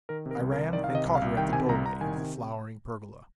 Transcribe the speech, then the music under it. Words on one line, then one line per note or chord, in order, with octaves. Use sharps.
I ran and caught her at the doorway of the flowered pergola.
D#3 A#4
C3
A#4
C2
A#4
C2
D#3 D5
C3 F5
D#5
C2
F5
C2
D#3 G5
C3 G#5
C2 A#5
C2 A#5
D#3 G#5
C3